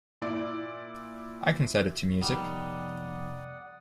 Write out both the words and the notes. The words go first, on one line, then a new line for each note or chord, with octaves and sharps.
I can set it to music.
A#2 E4 D5
C3 D#3 F3 G3 B3 D5 F#5 D#6